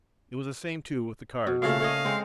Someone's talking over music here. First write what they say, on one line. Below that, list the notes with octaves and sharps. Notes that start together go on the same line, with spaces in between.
It was the same too with the cards.
B2
A#2 C#3 A3 F5
A3 C#5 D#5
G#3 C4